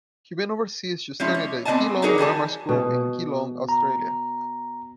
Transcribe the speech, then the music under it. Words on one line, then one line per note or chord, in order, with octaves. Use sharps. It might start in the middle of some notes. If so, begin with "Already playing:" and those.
He went overseas to study at the Geelong Grammar School in Geelong, Australia.
F3 G#3 C#4 E4
C#5
B3 C4 D4 D#5 G#5 A5
D4 D#4 F#4 G#4 A#4 C#5
E3 G3 G#5 A5
B2
A#5